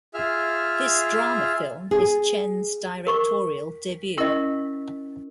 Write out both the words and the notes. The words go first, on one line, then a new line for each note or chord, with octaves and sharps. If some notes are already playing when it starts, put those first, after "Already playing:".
This drama film is Chen's directorial debut.
F4 G#4 E5 F6
G#4
A#4 C#6 D6
C#4 E4 A#4 D#5 G5